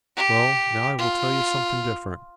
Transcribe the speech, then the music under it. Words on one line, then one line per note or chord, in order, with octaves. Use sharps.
Well, now I will tell you something different.
G4
F4